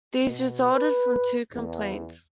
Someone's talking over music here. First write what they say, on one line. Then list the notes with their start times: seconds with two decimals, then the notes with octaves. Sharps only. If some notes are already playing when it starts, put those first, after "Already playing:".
These resulted from two complaints.
0.24 B2
0.72 B4
1.52 E2